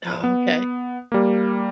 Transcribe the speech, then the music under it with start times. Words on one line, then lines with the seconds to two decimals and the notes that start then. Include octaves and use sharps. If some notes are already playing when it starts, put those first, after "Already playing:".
Oh, okay.
0.24 B3
1.12 G3 A#3